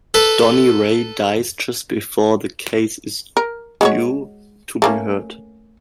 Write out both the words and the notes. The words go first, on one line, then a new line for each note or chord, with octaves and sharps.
Donny Ray dies just before the case is due to be heard.
A4 B4
A#4
G#3 F#4 C#5
A3 A#3 C#4